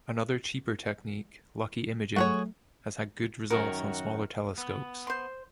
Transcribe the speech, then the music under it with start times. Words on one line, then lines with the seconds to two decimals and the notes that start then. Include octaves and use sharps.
Another cheaper technique, lucky imaging, has had good results on smaller telescopes.
2.16 F#3 A3 F#4 G#4 C#5
3.50 F#2 D#3 F#4 A#4
4.58 B3
5.07 C5 C6